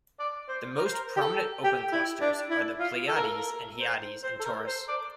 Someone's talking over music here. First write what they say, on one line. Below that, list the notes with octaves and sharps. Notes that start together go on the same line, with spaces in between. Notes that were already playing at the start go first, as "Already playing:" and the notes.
The most prominent open clusters are the Pleiades and Hyades in Taurus.
D5
C5
A#4
C5
A#4
G4
A4
G4
E4
D4
E4
F4
A4
A#4
A4
A#4
C5
C5
A4
A#4
C5
D5